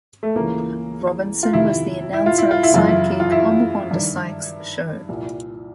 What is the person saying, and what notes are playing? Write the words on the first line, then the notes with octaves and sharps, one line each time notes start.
Robinson was the announcer and sidekick on "The Wanda Sykes Show".
A3
C#2 C#3 E3 A#3
F4
F2 C3 D#3 E4
E4
F4
E4
F4
E4
F#2 C#3 E3 F4
E4
F4
E4
G2 D#3
C2 A#2